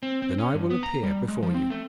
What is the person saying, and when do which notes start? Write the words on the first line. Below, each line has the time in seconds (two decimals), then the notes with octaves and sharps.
Then I will appear before you.'
0.03 C4
0.22 C4
0.38 C#4
0.54 G2
0.70 B3
0.83 A#5
1.03 G3
1.28 G#3
1.42 F3
1.54 C4
1.70 A3